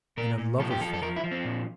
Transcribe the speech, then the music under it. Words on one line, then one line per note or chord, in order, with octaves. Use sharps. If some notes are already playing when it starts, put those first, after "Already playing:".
In a love-affair.
A#2 A#4
A#2
F3 A4
G4
F3 A4
A4
F3 A#4
E4
F3
C4
A#2